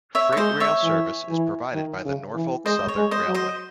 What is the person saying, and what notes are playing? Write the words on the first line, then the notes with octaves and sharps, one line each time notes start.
Freight rail service is provided by the Norfolk Southern Railway.
C#5 E5
C#5
G#3 C5 D#5
C#5 E5
E3
E3
D#3
C#3
E3
G#3 C5 D#5
C#5
G#3
C5 D#5
F#3
C5 D#5